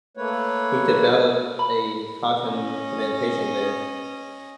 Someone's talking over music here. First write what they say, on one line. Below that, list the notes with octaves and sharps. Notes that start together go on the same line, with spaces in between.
He developed a cotton plantation there.
A3 A#3 B4 C#5
B5
C#4 D#5